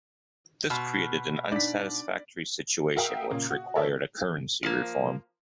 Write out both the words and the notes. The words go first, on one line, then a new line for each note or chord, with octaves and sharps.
This created an unsatisfactory situation which required a currency reform.
B2 C6 E6 F6
D4 D#4 D5 B6
F#4 A#4 E5 F5 G5 D#6
A#2 C#3 A#3
F#4
A4 A#4 C#5 D5 E5 A5
F3 A#3